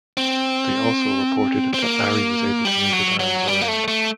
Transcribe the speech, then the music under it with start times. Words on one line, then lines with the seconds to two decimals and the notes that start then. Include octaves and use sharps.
They also reported that Larry was able to move his arms around.
0.17 C4
1.74 C4
1.82 A#3
2.65 G3
2.92 F#3
3.20 F#3
3.47 G3
3.62 A#3
3.68 A3
3.88 A3